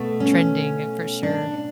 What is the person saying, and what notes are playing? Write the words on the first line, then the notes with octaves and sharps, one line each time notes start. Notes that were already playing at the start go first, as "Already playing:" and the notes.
trending, uh, for sure.
Already playing: B2 A3
C#4
D4